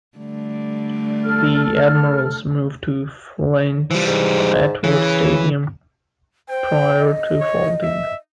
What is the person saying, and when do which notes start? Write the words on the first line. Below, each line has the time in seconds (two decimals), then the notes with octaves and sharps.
The Admirals moved to Flint's Atwood Stadium prior to folding.
0.18 D3 G3 A3
1.24 A4 F6
3.91 E3 F3 G3
4.07 G#2
4.84 C#3 E3
6.49 C5 G5
6.98 D#5
7.41 C#5
7.83 E5